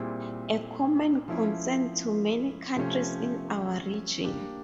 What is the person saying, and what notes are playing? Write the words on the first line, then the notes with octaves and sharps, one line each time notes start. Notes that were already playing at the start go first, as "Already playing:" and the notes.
A common concern to many countries in our region.
Already playing: A#2 G3 C4 E4 G#4
F3 A3 C#4 E4
C3 F3 A3 C#4
A#3 D4 G4